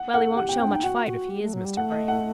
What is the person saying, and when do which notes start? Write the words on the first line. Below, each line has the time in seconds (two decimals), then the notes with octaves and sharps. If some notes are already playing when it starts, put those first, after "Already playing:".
"Well, he won't show much fight if he is Mr. Vrain."
Already playing: F#5
0.13 A4 F#5
0.37 G4 F#5
0.49 G5
0.60 C4 G5
0.67 D4
0.72 G5
0.76 D#4
0.84 F#4 F#5
1.07 F#4
1.30 G4
1.42 A3
1.53 F#3
1.65 G3
1.77 A3 F#5
1.92 D#5
2.08 F#5